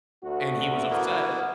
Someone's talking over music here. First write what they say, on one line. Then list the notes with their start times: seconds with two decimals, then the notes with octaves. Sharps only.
and he was upset
0.24 D2 F#4
0.90 A#3 B3 E4